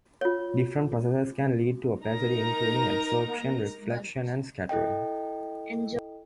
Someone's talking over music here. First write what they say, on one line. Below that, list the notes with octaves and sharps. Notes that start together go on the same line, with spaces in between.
Different processes can lead to opacity including absorption, reflection, and scattering.
F4 C#5
D#4 A#4 A#5
E4 A4 D#5 G5